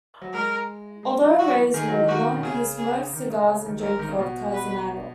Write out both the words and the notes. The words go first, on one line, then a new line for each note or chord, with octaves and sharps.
Although raised Mormon, he smoked cigars and drank vodka as an adult.
F#3
G#3 A#4
G#3
F#3
F#3 F#4
E3
D#3 G#4
F#3
E3
D#3 F#4
B2
C#3 G#4
G#4
D#3
C#3
C#3
D#3
F#2
G#2 A#4
D#3
C#3
B2
B4